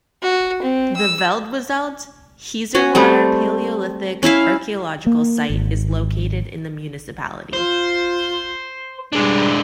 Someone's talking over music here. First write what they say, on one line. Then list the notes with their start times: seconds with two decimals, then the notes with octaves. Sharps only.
The Veldwezelt-Hezerwater Palaeolithic archaeological site is located in the municipality.
0.22 F#4
0.62 C4
0.96 E6
2.75 C#4 F#4 G#5
2.95 G3 A3 C4
4.23 C#4 E4 E5 F5
5.06 A#3
5.50 G#1
7.53 F4 C5
9.13 G3 G#3 D4